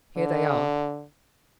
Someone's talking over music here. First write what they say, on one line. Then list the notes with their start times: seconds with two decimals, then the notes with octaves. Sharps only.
"Here they are."
0.17 D3